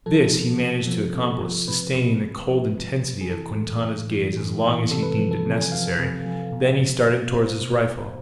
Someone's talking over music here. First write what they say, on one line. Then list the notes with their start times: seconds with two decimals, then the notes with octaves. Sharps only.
This he managed to accomplish, sustaining the cold intensity of Quintana's gaze as long as he deemed it necessary. Then he started toward his rifle.
0.06 F3 A4
0.33 C3
0.60 C3
0.87 F3
1.14 C3
1.41 F3
1.67 C3 B4
1.94 C3
2.22 C3
2.49 F3
2.76 C3
3.03 C3
3.21 G#4
3.30 E3 A4
3.56 A2
3.83 A2
4.11 E3
4.37 A2
4.64 E3
4.91 C3 A4
5.02 B4
5.11 A4
5.18 F3
5.31 A4
5.46 C3
5.51 G#5
5.62 G#5
5.72 F3 F5
5.99 C3
6.25 F3
6.52 B2
6.80 B2
7.07 B2
7.33 B2 C5
7.61 B2
7.88 B2